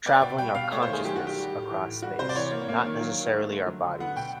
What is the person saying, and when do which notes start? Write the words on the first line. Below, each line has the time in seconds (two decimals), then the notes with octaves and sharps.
traveling our consciousness across space, not necessarily our bodies.
0.06 B3 D5
0.22 B2 G5
0.38 G3 G5
0.55 B2 F5
0.71 A3 C#5
0.82 C5
0.89 D#3 G#4
1.04 F#3 G4
1.16 F#4
1.20 D#3
1.27 G4
1.37 G3
1.54 A2
1.70 E3
1.87 A2
2.02 G3 F#4
2.19 C3 C5
2.29 D5
2.36 E3 C#5
2.52 A#3
2.69 A#3
2.86 D#3
3.01 F#3
3.17 D#3
3.34 A3
3.51 D3
3.67 F#3
3.84 D3
4.00 B3 F#5
4.16 B2 G5